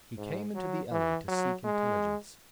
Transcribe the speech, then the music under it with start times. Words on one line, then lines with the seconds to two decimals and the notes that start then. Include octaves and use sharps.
He came into the alley to seek intelligence.
0.17 G#2
0.55 F#3
0.91 E3
1.28 F#3
1.65 G#3